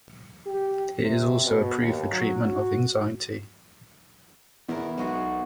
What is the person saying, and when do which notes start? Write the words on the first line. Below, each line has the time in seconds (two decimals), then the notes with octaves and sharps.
It is also approved for treatment of anxiety.
0.47 G4
1.03 C3
1.45 B2
1.80 D#2
2.12 F#3
2.44 F#4
4.68 E2 B2 E4 A#4
4.97 B1 G#3 F#4 G#4